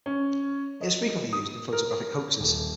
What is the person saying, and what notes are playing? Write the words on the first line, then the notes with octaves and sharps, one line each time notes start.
It is frequently used in photographic hoaxes.
C#4
D#5
D#6
A#4
D#1